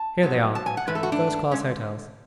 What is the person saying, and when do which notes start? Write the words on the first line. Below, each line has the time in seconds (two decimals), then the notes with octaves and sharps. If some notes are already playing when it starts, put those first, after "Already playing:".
Here they are--first-class hotels.
Already playing: A5
0.23 G#2 F#3 B3
0.55 A5
0.66 G#5
0.77 F#5
0.87 G#2 E3 A3 B4
0.95 A4
1.03 F#4
1.12 D4
1.51 D3 G#3 C#4